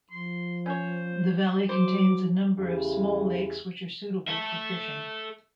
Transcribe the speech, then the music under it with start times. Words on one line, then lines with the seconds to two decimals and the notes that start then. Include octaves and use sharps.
The valley contains a number of small lakes which are suitable for fishing.
0.11 F3 C6
0.66 C#4 C5 C#5
1.69 F#3 C5 D6
2.58 E2 A2 C#3 G#3 E4 G4
4.28 A4 E5